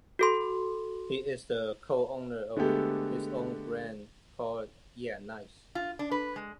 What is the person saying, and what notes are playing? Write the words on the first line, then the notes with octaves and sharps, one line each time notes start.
He is the Co-Owner of his own brand, called Yea.Nice.
F#4 A4 C6
D3 G#3 A3 B3 G4 A4
F4
D4
B4
G#3